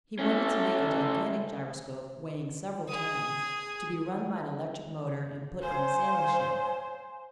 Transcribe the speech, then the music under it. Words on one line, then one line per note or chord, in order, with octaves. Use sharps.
He wanted to make a gigantic gyroscope weighing several tons, to be run by an electric motor and put on a sailing ship.
A3 C#4
G#4 D#6
C5 C#5 F5 G#5